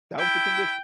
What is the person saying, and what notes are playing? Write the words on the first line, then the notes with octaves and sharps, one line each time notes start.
That was the condition.
E4 G5